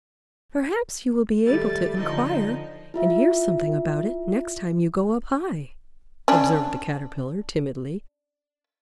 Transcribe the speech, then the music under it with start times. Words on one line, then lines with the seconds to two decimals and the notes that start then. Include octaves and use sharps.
"Perhaps you will be able to inquire and hear something about it next time you go up high," observed the Caterpillar, timidly.
1.45 D#3 G3 A3 A6
1.98 D3 F3 D#4 D#5
2.94 E4 F4 E5
6.28 C#4 D4